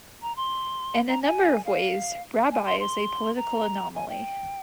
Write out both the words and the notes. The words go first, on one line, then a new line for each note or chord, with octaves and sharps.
In a number of ways, Rabi is a political anomaly.
A#5
C6
A#5
G#5
F5
G#5
C6
C6
A#5
G#5
G5